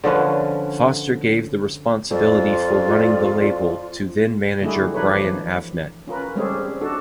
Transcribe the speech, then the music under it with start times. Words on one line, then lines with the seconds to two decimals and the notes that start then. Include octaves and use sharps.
Foster gave the responsibility for running the label to then manager Brian Avnet.
0.04 D3 F3 C#4 B4
2.11 F2 F4 D5
4.61 D3 G3 A3 E4 F#4 G#4
4.94 E3 F3 D4 A#4 B4 C#5
6.07 C#4 F4 A#4 B4
6.36 G3 G#3 C4 C#4 G#4 A4
6.81 D4 F#4 A4